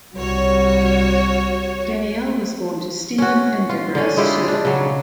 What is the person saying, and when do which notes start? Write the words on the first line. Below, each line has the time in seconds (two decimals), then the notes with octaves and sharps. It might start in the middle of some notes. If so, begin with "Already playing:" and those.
Danielle was born to Steven and Debra Serdachny.
0.16 C2 G3 F#4 C#5
3.18 C#4 F#4
3.69 F4
3.95 D3 C#4
4.17 G#3 E4 F4 G4
4.48 D4
4.65 C#3 F#3